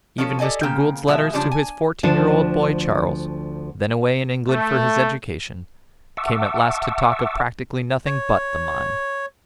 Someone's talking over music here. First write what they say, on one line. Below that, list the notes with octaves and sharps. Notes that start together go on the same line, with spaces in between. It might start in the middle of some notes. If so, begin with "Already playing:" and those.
Even Mr. Gould's letters to his fourteen-year-old boy Charles, then away in England for his education, came at last to talk of practically nothing but the mine.
F3 C#4 F4 A4 C5 C#5
G4 A4 D5 D#5 G#5
C#3 A#3 G5
B2 F3 G#3 D5 E5
C#3 F3 G3 C#4 D4
G#5
D2 F3 D4
A3
E5 F#5 A5 C#6 D6 E6
C#5